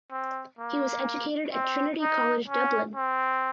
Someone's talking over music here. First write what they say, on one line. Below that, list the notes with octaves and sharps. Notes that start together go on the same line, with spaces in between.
He was educated at Trinity College Dublin.
C4
A#3
C4
D#4
C#4
C4